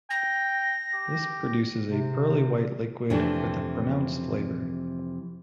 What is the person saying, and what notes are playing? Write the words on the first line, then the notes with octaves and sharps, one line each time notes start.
This produces a pearly-white liquid with a pronounced flavor.
G5 A#6
G4
C3
F2 C3 E3 F3 A3 D4